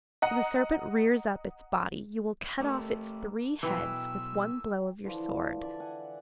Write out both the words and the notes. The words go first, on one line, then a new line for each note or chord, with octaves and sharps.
When the serpent rears up its body you will cut off its three heads with one blow of your sword.
D#5 F#5 A#5
A3 A#3 G4 A4
B1 B2 E3 C5 G5 B5 E6
D3 E3 F3
D5 E5 A5
F#5 G#5